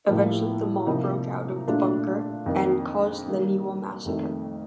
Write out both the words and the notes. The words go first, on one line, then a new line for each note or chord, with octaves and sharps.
Eventually the Maw broke out of the bunker and caused the Niwa Massacre.
A2 F3 A#3
C3 F3 A#3 D#4
A#2 A3 D4 F4
F2 D#3 A#3
D#3 G3 A#3
F2 D#3 A3